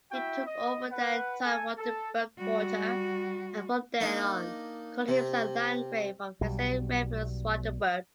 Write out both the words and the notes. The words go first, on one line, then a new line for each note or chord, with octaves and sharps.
He took over the entire Rotenburg Quarter and from then on called himself Landgrave of Hesse-Rheinfels-Rotenburg.
E4 F#4 E5 G5
D#5
B4 F#5
A4 G#5
A4
G3 F#4
A#3 D4 D#4
C3
B1 B2 G3